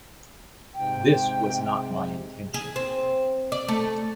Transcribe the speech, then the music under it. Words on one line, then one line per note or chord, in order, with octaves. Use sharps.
This was not my intention.
G#2 C3 G5
G#4
C4
D5
A3